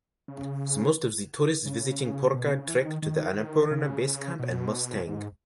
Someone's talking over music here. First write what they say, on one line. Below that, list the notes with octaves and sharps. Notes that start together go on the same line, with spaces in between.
Most of the tourists visiting Pokhara trek to the Annapurna Base Camp and Mustang.
C#3
C#3
B2
C#3
E3
D#3
D#3
C#3
B2
G#2